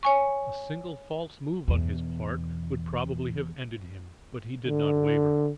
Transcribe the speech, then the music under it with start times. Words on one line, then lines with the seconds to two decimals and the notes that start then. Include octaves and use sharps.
A single false move on his part would probably have ended him, but he did not waver.
0.03 C#5 G#5 C#6
1.68 E2 B2
4.67 D3